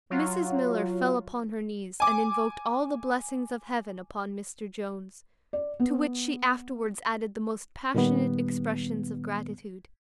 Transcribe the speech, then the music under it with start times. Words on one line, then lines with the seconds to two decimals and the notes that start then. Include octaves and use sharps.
Mrs Miller fell upon her knees and invoked all the blessings of heaven upon Mr Jones; to which she afterwards added the most passionate expressions of gratitude.
0.10 F#3 F4
2.00 G#5 D6
5.53 D5
5.80 B3
7.95 A#2 D#3 G3 B3